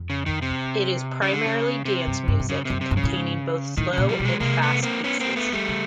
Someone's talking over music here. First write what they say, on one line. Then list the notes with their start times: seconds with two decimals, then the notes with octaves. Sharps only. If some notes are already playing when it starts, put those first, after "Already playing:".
It is primarily dance music, containing both slow and fast pieces.
Already playing: F2
0.10 C#3
0.26 D#3
0.42 C3
1.22 C#3
1.33 D3
1.46 C#3
1.85 C3
2.07 G2
2.28 G2
2.40 G2
2.49 F#2 C#3
2.65 F#2 C3
2.81 C3
2.91 G2
2.97 C#3
3.03 A2
3.13 G#2
3.77 A2 D#3
3.93 A#2 C#3
4.09 F3 G3
4.20 B2
4.25 F#3 G#3
4.40 C3 G#3 A#3
4.62 A3 B3
4.83 A#3 C4
5.04 B3 C#4
5.20 A#3 C4
5.36 A3 B3
5.52 G3 A3
5.68 C#3